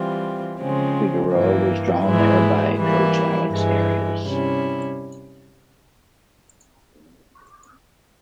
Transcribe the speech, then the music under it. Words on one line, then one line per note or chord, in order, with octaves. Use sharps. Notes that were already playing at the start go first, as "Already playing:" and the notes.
Figueroa was drawn there by coach Alex Arias.
Already playing: E3 G3 C4 F4
C#3 F3 G#3 C4
G2 E3 A#3
G#2 E3 G#3 E4
E3 G3 A#3 E4
G2 E3 G#3
C3 G3 C#4 E4